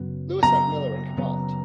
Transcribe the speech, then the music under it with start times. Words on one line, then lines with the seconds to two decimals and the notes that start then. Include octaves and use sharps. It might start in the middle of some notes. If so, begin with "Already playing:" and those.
Louis N. Miller in command.
Already playing: F#2 C#3 F#3 B3
0.43 F#2 C#3 F#3 B3 A#5
1.17 F#2 C#3 F#3 B3